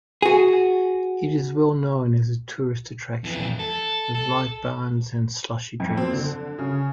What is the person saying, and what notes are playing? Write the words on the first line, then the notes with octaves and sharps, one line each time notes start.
It is well known as a tourist attraction, with live bands and slushy drinks.
F#4 G#4
F2 E3
A4
A4
F2
C4
D3
C#3